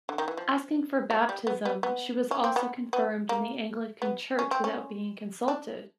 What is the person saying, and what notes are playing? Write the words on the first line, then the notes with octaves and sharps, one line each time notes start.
Asking for baptism, she was also confirmed in the Anglican Church without being consulted!
D3
D#3
E3
F3
F#3
G3
B3
B3
B3
C#4
C4
B3
B3
A#3
B3
C#4
C4
C#4
D4